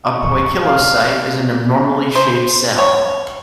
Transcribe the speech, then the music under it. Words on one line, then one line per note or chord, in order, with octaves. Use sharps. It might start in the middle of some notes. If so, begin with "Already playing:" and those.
A "poikilocyte" is an abnormally shaped cell.
C#6
F5
C5
C#5